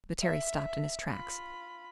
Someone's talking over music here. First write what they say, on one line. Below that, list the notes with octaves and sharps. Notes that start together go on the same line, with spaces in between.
But Terry stopped in his tracks.
E5
F4 B5